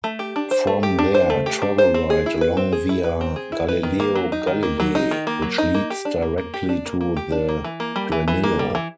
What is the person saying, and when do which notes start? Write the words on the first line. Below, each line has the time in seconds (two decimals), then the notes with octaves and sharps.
From there, travel right along via Galileo Galilei which leads directly to the Granillo.
0.04 A3
0.19 G4
0.36 D4
0.51 C5
0.67 A3
0.83 G4
0.99 D4
1.15 C5
1.30 A3
1.46 G4
1.62 D4
1.78 C5
1.94 C4
2.10 G#4
2.26 E4
2.41 B4
2.57 C4
2.72 G#4
2.89 E4
3.04 B4
3.21 C4
3.36 G#4
3.52 E4
3.69 B4
3.83 D#3
4.00 A#3
4.16 F#3
4.32 D#4
4.47 D#3
4.63 A#3
4.80 F#3
4.95 D#4
5.11 D#3
5.27 A#3
5.42 F#3
5.58 D#4
5.74 A#3
5.90 G4
6.05 D4
6.22 A#3
6.38 A#3
6.54 G4
6.69 D4
6.86 A#3
7.01 A#3
7.17 G4
7.32 D4
7.49 A#3
7.64 E3
7.80 A#3
7.96 G3
8.12 E3
8.28 E3
8.44 A#3
8.59 G3
8.75 E3